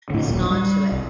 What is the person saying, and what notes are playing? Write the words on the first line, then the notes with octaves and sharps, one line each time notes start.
this nod to it.
A2 D3
D#1 A#1 A#2
G3
C2